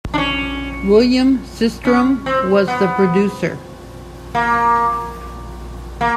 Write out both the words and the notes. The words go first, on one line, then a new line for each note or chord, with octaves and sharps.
William Sistrom was the producer.
D4
C#4
C#4
C4
B3
A#3
A#3